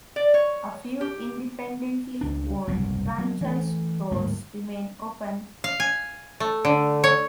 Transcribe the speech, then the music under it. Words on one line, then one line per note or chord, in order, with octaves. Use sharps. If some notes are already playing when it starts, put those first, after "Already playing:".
A few independently owned franchise stores remain open.
D5
C#5
G4
C#2 D4
F#1 C2 G#2 B2
F#3 A#3
E3 A3
D1 G#2 G3 A#3
F5
G#5
A3
D3
C#5